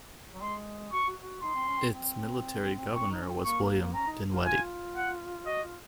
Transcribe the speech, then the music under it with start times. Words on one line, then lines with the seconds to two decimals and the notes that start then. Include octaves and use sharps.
Its military governor was William Dinweddie.
0.34 F#3
0.42 G#3 C6
0.92 F#4 C#6
1.07 F#4
1.23 F#4
1.43 D#4 C6
1.55 C4
1.68 C#4
1.80 C4
1.93 C4
2.94 C4 C#6
3.11 D#4
3.22 C#4
3.33 C4
3.45 A#3 C#6
3.95 C#4 A#5
4.07 D#4
4.33 F4
4.45 F4 G#5
4.96 F#5
5.47 F#4 D#5
5.63 F4